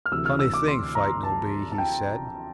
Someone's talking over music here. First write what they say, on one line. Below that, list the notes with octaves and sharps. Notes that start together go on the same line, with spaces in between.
"Funny thing fighting'll be," he said.
F6
D2 C3 E3 E6
F6
E6
D6
C6
A#5
A5
A5
G5